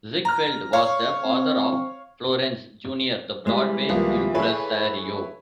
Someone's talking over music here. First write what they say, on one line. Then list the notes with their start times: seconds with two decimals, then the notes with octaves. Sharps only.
Ziegfeld was the father of Florenz Junior the Broadway impresario.
0.25 A#5 F6
0.73 C#5 F5 C#6
1.24 C4
3.47 E3 G3 G#3 B4
3.89 C2 D#3 F3 A#3 B3
4.35 E4 G#4 A4 B4 C#5 F5